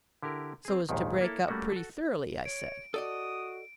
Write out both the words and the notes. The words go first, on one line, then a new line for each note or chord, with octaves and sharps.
"So as to break up pretty thoroughly?" I said.
D3 E4 G4 A#4
C4 G#4
A#1 D#2 G#2 D#3
A#3 E4 A4 C#5 A5
G3 A3 A#3 C#4 F#4
F#4 A4
C#5 D7
F#4 A4 D5 D#5 D#6